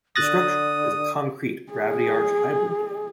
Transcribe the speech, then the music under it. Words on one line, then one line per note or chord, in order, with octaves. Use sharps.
The structure is a concrete gravity-arch hybrid dam.
D3 D#6 F#6 A6 A#6
G#4